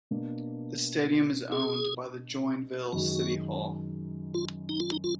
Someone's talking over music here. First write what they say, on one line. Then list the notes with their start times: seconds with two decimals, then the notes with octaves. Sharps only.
The stadium is owned by the Joinville City Hall.
0.11 B2 A#3 D4
1.52 G#4
2.93 F#2 D#3 G#3 F#4
4.34 F4
4.69 D#4
4.80 F4
4.92 D#4
5.04 F4